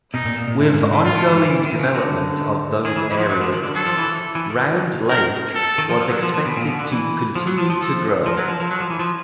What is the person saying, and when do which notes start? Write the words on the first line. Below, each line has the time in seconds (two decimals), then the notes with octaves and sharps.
With ongoing development of those areas, Round Lake was expected to continue to grow.
0.14 B2 D#4
0.25 A#2
0.36 A#2
0.48 A#2
0.59 A2
0.70 G#2
0.82 G#2
0.93 A2
1.04 G#2 F4
1.15 A2
1.27 D#3
1.38 E3
1.49 E3
1.64 D#3
1.79 C#3
1.94 D3 F#4
2.85 D#3 G#4
2.96 E3
3.12 E3
3.18 F3
3.29 F#3
3.41 F3
3.52 D#3
3.63 D3
3.75 F#3 A4
3.86 F3
3.97 E3
4.09 E3
4.35 E3
4.50 D#3
5.09 A#4
5.55 A4
5.78 D#3
5.89 F3
6.00 F3
6.11 F#3
6.23 F3
6.34 F3
6.46 B2
6.57 A#2
6.68 B2
6.79 D3
6.91 E3
7.35 F3
7.47 F#3
7.58 F3
7.70 F3
7.81 F3 A4
8.26 F3 A#4
8.37 F#3
8.48 F3
8.60 F3
8.71 F#3
8.80 F3
8.90 E3
8.99 F3